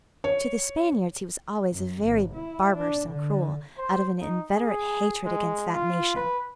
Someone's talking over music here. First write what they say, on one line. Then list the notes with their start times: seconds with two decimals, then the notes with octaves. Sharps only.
To the Spaniards he was always very barbarous and cruel, out of an inveterate hatred against that nation.
0.24 C#5
1.72 F#2
2.03 G#1
2.34 E4
2.76 D4
3.07 D3
3.78 C5
4.21 D#4
4.56 G#4
5.26 G#3
5.73 F4
6.16 B4